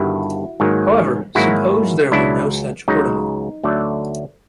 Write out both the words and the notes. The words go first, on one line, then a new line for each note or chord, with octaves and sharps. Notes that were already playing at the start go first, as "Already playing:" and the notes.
However, suppose there were no such ordinal.
Already playing: G1 G2 D#3 E4 F#4
G#2 D#3 F#3 A#3
G#2 D#3 F#3 A#3 E4 F#4
C#2 C#3 F#3 D4 E4
C#2 C#3 F#3 D#4
D2 D3 F#3 A3 D4